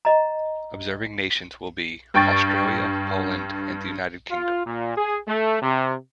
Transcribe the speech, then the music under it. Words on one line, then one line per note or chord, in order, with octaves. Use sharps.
Observing nations will be: Australia, Poland, and the United Kingdom.
D#5 A#5
G2 G5 C#6 A6
F4
A#2
G#4
A3
C3